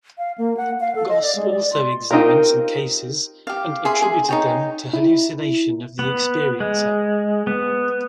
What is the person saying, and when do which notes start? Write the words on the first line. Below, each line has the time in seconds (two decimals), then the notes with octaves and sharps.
Goss also examined some cases and attributed them to hallucination of the experiencer.
0.18 F5
0.38 A#3
0.57 F#5
0.80 F5
0.95 A4
1.09 D#5
1.22 D5
1.35 G#3
1.51 D5
1.73 C6
2.11 C4 D#4 F4 G4 A#4
3.47 G4 F5
3.85 G#4 E5 C6
4.02 G#4
4.29 D#4 C#5 G5
4.93 E4
5.99 B3
6.60 G#3
7.47 B3